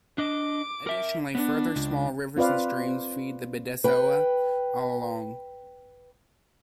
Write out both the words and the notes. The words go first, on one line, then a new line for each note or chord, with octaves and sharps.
Additionally, further small rivers and streams feed the Bidasoa all along.
D4 D#5 D6
A#4 E5
B3 D4
C#2
C4 F4 B4 D5 F5
B4 G5